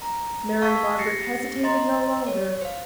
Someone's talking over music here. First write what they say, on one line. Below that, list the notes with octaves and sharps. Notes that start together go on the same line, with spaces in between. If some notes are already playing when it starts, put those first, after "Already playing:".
Mary Margaret hesitated no longer.
A#5
F5 A5 C#6 E6 G#6 B6
G4 A6 A#6 C7 C#7
D#5 A#5 C6 A6
C#5
C5 F5